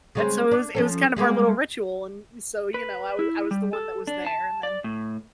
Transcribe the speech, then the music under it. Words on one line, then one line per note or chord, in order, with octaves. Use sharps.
And, so, it was it was kind of our little ritual and, so, you know, I wa I was the one that was there, and then,
C#3 G#3 C4
D4
F3 C#4 A4
G3 G#3 A#3
B4
E4
G3
A4
D4
A5
D5
A2